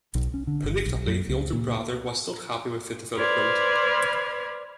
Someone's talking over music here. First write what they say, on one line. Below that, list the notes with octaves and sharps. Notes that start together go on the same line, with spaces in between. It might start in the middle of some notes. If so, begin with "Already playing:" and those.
Predictably, the older brother was not happy with the development.
B1
C#4
D3
G1
B1
F#2
C#2
A#2
B4 C5 D5 B5 F6 G#6